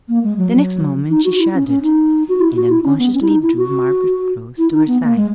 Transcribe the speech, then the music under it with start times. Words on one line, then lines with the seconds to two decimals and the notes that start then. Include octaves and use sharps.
The next moment she shuddered and unconsciously drew Margaret close to her side.
0.09 A#3
0.24 G#3
0.38 F#3
0.53 F#3
1.11 D#4
1.25 F#4
1.39 E4
1.54 C#4
1.68 C#4
1.83 D#4
2.29 F#4
2.40 E4
2.56 F#4
2.70 E4
2.84 C#4
2.99 B3
3.14 C#4
3.22 E4
3.28 D#4
3.43 E4
3.57 F#4
4.58 E4
4.73 D#4
4.88 B3
5.03 A#3
5.16 G#3